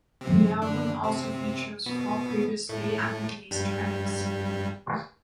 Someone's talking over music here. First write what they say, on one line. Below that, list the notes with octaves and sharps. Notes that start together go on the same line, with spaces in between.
The album also features four previously unreleased tracks.
C3 C4
D3 D4
C3 C4
B2 B3
A2 A3
G2 G3